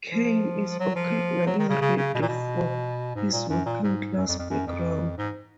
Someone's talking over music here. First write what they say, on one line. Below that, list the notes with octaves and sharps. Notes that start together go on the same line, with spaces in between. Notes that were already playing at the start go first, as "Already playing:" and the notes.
Caine is occasionally ribbed for his working-class background.
F3
F#3
F3
F#3
D#3
C#3
C#3
C#3
B2
A#2
B2
G#2
A#2
F#2
A#2
G#2
F#2
F2
F2
F#2
F2
G#2